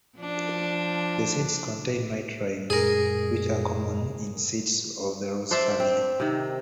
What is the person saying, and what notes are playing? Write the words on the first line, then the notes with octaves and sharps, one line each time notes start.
The seeds contain nitriles, which are common in seeds of the rose family.
F3 D4
F#2 A#2 G#3 G#4 A#4
D4 C5 D5 E5
C4
C3 D#3